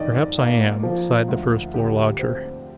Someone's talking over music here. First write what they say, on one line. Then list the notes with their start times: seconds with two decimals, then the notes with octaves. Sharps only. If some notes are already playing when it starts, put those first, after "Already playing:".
Perhaps I am,' sighed the first-floor lodger.
Already playing: F2 D#3 D5 D#5
0.38 A#3
0.83 F3
1.28 D2
1.74 D3 G4
2.19 C4